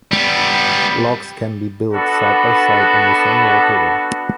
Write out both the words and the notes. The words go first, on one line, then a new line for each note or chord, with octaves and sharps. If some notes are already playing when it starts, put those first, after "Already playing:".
Locks can be built side by side on the same waterway.
G3 B3
B3 D4 F#4 A4 B4